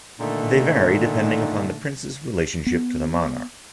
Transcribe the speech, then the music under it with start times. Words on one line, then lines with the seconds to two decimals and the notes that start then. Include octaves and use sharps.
They vary depending upon the prince's relationship to the monarch.
0.19 A#2 D3 D#3 A3 D#4
2.66 B3